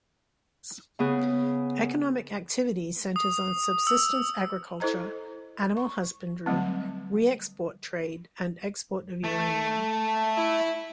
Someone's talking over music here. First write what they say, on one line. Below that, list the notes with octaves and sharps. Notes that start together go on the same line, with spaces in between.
Economic activity centres on subsistence agriculture, animal husbandry, re-export trade, and export of uranium.
C#3 B3 G#4
D#6
E6
E4 A4 C5 D#5 A#5
C#6
D3 F#3 G3 A3 C4
A3
E4